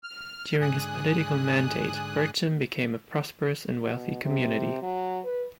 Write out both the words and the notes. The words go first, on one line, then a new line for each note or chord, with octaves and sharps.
During his political mandate, Berchem became a prosperous and wealthy community.
F6
G#2 D3 G#5 D#6 F#6
B2
C3
F#3
B4